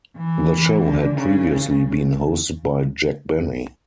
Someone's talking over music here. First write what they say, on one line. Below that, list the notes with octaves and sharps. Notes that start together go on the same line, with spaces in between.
The show had previously been hosted by Jack Benny.
E3
D3
C#3